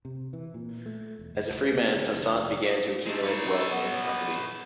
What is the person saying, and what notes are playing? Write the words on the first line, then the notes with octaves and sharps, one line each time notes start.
As a free man, Toussaint began to accumulate wealth and property.
C3
E3
A#2
A3
E1
F#1
D2
A#3
D3
F1
F1
G#3 A3 D#4
B4 C#5
A4
B3